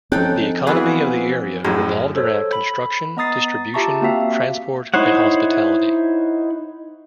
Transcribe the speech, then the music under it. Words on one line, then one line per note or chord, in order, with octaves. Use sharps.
The economy of the area revolved around construction, distribution, transport and hospitality.
F3 C4 C#4 D#4 A4 G5 F#6
E3 B3 F4 F#4 G#4 B4
A1 F#2 A2 G#4 D#5
A4 C5 C#5
B5
B3 D#5 A#5 D#6 A6 C7
F4 G4 E5 A5 A#5 C#6
A#3 C4 F#4 E5 F5
D#4 E4 C5 C#5 F#5